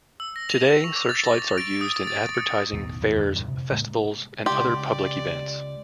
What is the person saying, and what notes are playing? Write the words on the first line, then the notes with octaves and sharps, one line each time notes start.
Today, searchlights are used in advertising, fairs, festivals and other public events.
E6
A#6
F7
C#6
D6
A6
A#6
D7
D#6
A6
C#7
A1 E2 B2 D#3
B2 D#3 G#3
F2 D3 E3
D#1 G2 A#2
C3
A2 C#3 G#3 A#3
C#2 G4 D5 C6